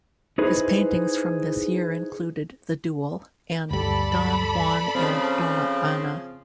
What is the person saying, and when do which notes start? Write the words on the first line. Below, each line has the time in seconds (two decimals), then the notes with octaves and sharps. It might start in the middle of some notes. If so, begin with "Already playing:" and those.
His paintings from this year included "The Duel" and "Don Juan and Dona Anna".
0.38 D#4 E4 G#4 B4 C5
3.71 D2 G2 G3 A4 D5 B5
4.95 C#3 F3 C4